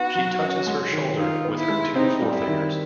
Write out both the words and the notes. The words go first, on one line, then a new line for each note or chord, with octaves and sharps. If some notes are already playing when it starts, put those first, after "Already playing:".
She touches her shoulder with her two forefingers.
Already playing: B3 D#4 F#4
F#3
C#4
G#3
D#3
D#4 F4
B3
E4
G#3
C4 D#4
G3
E4
D#3